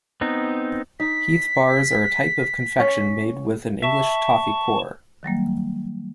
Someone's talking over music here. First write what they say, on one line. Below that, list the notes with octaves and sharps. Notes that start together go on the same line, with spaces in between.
Heath bars are a type of confection made with an English toffee core.
B3 C4 D#4
D#4 B6
C#4
E5 A5 C#6
D#3 F#3 G3 A#3